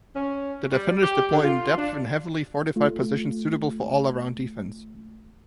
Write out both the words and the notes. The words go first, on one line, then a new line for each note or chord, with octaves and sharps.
The defenders deploy in depth in heavily fortified positions suitable for all-around defence.
C#4
G3
G4
D3
F4
D4
A3 F4